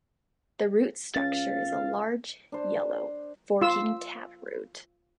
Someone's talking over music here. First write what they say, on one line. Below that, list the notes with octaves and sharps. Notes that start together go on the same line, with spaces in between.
The root-structure is a large, yellow, forking taproot.
C#2 C#4 F5 A6
D4 C5
F4 E6